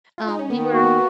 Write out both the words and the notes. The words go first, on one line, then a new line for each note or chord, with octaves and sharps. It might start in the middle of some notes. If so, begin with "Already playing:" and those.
um, we were
F4
D#4
C#4
D#3 B3
F#4
A#3